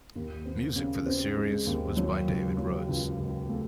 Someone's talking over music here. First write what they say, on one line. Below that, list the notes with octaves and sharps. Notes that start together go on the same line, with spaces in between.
Music for the series was by David Rose.
D#2
C4
C#3
C4
G#3
D#2
F#3
C#2
F#3
C#2
C#2
A3